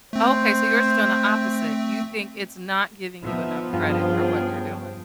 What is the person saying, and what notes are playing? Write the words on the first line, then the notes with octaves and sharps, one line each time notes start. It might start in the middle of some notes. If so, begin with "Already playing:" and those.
Okay so, yours is doing the opposite, you think it's not giving you enough credit for what you're doing.
A3 C4 C5
F3 B3 D#4 E5
C#2 G2 F4 G#4 G5